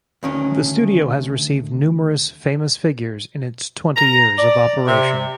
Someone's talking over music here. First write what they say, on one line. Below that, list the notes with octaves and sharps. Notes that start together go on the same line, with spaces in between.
The studio has received numerous famous figures in its twenty years of operation.
D2 D#3 C#4
A#5
D5
C3